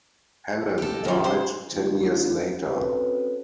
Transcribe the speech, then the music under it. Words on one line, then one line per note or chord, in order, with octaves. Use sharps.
Helen died ten years later.
G4 A4
A#2 D#5
D#3 F3 F#3 G#3 C#4
C5
F#2 D3 A3 D#4 F4
C4 C#4 F#4 A4 B4